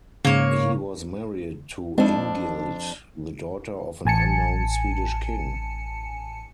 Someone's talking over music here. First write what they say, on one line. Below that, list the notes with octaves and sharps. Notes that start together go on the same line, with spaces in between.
He was married to Ingild, the daughter of an unknown Swedish king.
G#2 C#3 A#3 C#5
F2 G#3 C4 D4 D#4
A1 G#5 A5 C#7